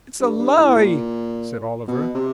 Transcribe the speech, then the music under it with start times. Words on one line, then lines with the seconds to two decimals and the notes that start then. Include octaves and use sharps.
'It's a lie!' said Oliver.
0.20 G2
0.39 G2
0.57 A2
0.75 A#2
1.87 B2
2.14 C3